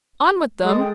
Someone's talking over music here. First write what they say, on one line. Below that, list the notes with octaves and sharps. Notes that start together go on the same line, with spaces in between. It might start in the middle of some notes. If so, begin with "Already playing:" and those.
On with them!
G#3 G#4 A4 D#6
G#4 G5